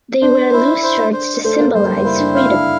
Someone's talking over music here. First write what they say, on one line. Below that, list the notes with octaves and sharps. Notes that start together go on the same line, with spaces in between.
They wear loose shirts to symbolize freedom.
D4 C5
E4
C5
C5
A3 C5
A#3
G3 C5
G3
A#3 E4
D4
F5
D4